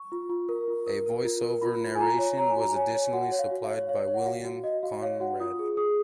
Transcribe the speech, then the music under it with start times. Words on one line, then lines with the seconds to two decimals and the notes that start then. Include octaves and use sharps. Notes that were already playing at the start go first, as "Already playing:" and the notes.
A voiceover narration was additionally supplied by William Conrad.
Already playing: C#6
0.12 F4
0.30 F4
0.49 A#4
0.68 F4
0.87 A#4
1.06 A#4
1.24 F4
1.44 A#4
1.62 F4 B5
1.81 F4
1.95 G#5
2.01 F4 A#5
2.19 C#5
2.38 C#5 A#5
2.50 G#5
2.57 F#4 A#5
2.76 C#5 G#5
2.95 C#5
3.13 F#4 F#5
3.32 C#5
3.39 F5
3.51 F#4
3.64 F5
3.70 C#5
3.89 C#5 F5
4.08 C#5
4.14 F#5
4.26 F#4 F5
4.45 F#4
4.64 F#4 D#5
4.83 F#4 F5
5.02 C#5 F5
5.20 F#4 F#5
5.40 F4 D#6
5.59 G#4
5.77 G#4 D#6